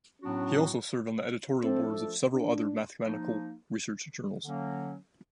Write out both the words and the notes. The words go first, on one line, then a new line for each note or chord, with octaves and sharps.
He also served on the editorial boards of several other mathematical research journals.
A2 F#3 B3 C#4 D4 F#4
F3 A3 C4 D4 F4 A4
D4
F3 A#3 D#4
D3 F#3 A#3 C#4